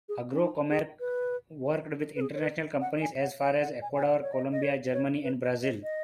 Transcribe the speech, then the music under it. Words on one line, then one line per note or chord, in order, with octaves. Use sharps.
Agrokomerc worked with international companies as far away as Ecuador, Colombia, Germany and Brazil.
G#4
C#4
D#4
G#4
B4
B4
G#4
C#5
B4
F#5
G#5
F#5
G#5
F#5
G#5
G#5
F#5
C#5
D#5
D#5
C#5
C#5
B4
D#5
D#5
D#5